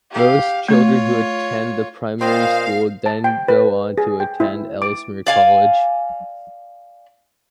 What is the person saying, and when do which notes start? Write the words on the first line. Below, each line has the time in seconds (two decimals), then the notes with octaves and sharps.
Most children who attend the primary school then go on to attend Ellesmere College.
0.11 G4 F5
0.68 A3 F4 C#5
2.21 A#2 B3 C4 C5 D#5 F5
3.06 A5
3.24 G5
3.48 B4
3.98 G#4
4.20 G5
4.40 E4
4.82 D6
5.27 D5 F5 G#5